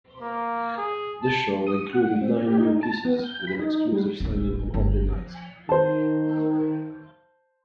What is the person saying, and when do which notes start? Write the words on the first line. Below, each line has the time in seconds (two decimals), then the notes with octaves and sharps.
The show included nine new pieces, with an exclusive signing on opening night.
0.21 A#3
0.77 G#4
1.22 A5
1.67 D#6
1.93 F#5
2.21 C4
2.46 G4
2.58 D#4
2.83 A5
3.05 B3
3.23 G6
3.47 B5
3.59 D#4
3.92 G3
4.20 D#1 A1
4.74 G1 D3
5.12 F3
5.69 D#3 C5 A5